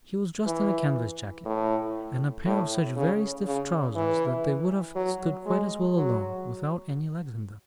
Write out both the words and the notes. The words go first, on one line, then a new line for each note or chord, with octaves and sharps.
He was dressed in a canvas jacket, and a pair of such very stiff trousers that they would have stood quite as well alone, without any legs in them.
E3
A2
A2
C#3
C#3
E3
F#3
G#3
F#3